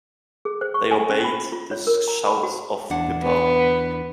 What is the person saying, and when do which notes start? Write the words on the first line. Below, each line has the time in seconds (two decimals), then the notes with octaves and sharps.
They obeyed the shouts of Pippa.
0.45 G#4
0.61 C5
0.74 C#6
0.91 G#5
1.10 C#4
1.24 B5
1.52 F4
1.71 C#5
1.87 A#4
2.08 A#5
2.26 B5
2.43 F#4
2.90 E2 D4 F#5
3.23 B3